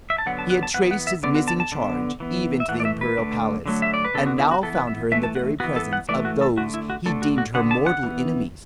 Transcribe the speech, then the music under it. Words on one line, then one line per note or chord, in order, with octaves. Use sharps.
He had traced his missing charge even to the imperial palace, and now found her in the very presence of those he deemed her mortal enemies.
E5
A5
D3 F#3 B3 F#5
A5
F#5
A5
E3 B3 F#5
F#5
E5
D3 B3 D5
F#4
A5
A5
D3 B3
E3 B3
E5
E3 A3 F#5
D5
E5
B4
D3 A3
D3 F#3 A3
E5
D5
B4
D3 B3 A4
F#4
E4
F#4
E3 B3 A4
B4
E5
E3 A3 E5
A5
F#5
E3 B3 F#4
A4
F#5
E3 A3 D5
F#4
A4
D3 A3 F#4
E4
F#4
D3 A3 A4
F#4
F#4
D3 B3 F#5
A5
F#5
E3 B3